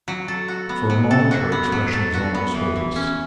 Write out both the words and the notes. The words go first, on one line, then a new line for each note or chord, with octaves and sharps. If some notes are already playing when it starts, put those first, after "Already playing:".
For a moment her expression was almost hopeless.
F#3
A4
F#4
B3
F#3
A4
F#4
B3
F#3
A4
F#4
B3
E3
E3
C#4